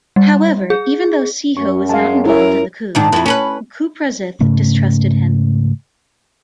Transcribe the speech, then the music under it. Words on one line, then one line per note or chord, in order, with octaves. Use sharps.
However, even though Siho was not involved in the coup, Kouprasith distrusted him.
G3
G#4
F#2 C#4 C#6
G#3 F5 A5
E4 A#4 C#5 E5
G#2 D#3 D4
F2 E4
C#4 A4 B4
G#2 C#3 A3 C#4